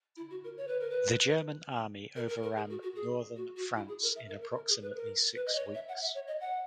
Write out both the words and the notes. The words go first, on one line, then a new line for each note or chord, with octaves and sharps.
The German army overran northern France in approximately six weeks.
E4
F#4
A#4
C#5
B4
A#4
B4
A#4
A#4
A#4
G#4
F#4
F#4
G#4
F#4
F#4
E4
G#4
A#4
E5
A#4
A#4
A#4
G#4
B4
A#4
B4
D#5
C#5
E5
F#5
E5
C#5
D#5
F#5